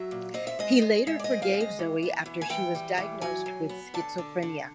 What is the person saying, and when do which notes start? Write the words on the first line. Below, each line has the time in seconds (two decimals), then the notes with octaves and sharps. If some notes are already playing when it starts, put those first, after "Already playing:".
He later forgave Zoe after she was diagonised with Schizophrenia.
Already playing: F#3 E5
0.11 A#2
0.34 C4 D#5
0.47 E5
0.59 G#3 D#5
0.82 G#3
1.07 G#3 E5
1.19 D5
1.24 D#5
1.31 C4
1.42 F5
1.54 G#3
1.60 D#5
1.79 E3
2.03 B3
2.26 E3
2.41 G#5
2.50 E3 G5
2.75 G3
2.98 E3
3.21 F#3 G#5
3.46 F#3
3.69 B3
3.94 D3 A5
4.18 D3
4.42 D3